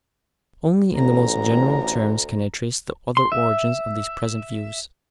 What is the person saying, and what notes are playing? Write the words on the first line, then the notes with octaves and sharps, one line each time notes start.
Only in the most general terms can I trace the other origins of these present views.
A1 D2 A#5
C6
E5